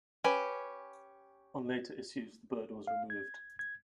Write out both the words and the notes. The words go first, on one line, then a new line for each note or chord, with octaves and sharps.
On later issues the bird was removed.
C#4 G4 B4 G#5
F5
G#6
G#6